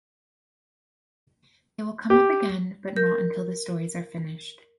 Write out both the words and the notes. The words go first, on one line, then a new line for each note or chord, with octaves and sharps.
They will come up again but not until the stories are finished.
G4
A#4 G6